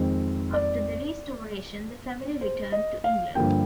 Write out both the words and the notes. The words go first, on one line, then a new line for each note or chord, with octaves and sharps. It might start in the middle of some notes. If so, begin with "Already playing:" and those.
After the Restoration the family returned to England.
Already playing: F2 D#3 G#3 C4
D5
C5
D#5
F5
G2 D3 F3 A#3 G5